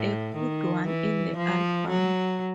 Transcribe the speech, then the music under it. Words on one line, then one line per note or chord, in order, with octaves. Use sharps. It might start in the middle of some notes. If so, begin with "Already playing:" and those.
A good one in the album.
Already playing: A2
D#3
E3
F3
F#3